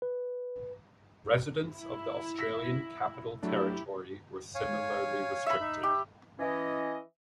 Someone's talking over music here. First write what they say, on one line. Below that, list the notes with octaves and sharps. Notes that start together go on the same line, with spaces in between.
Residents of the Australian Capital Territory were similarly restricted.
B4
E4
E6 A#6 B6
F#3 A3 D4 E4 G4
C#5 F5 G#5
E5 B5
D#4
G4
E3 C#4 D#5